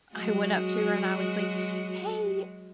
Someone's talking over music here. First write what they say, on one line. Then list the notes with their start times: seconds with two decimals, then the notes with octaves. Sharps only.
I went up to her, and I was like, "Hey,
0.14 F#3 G#3 F#4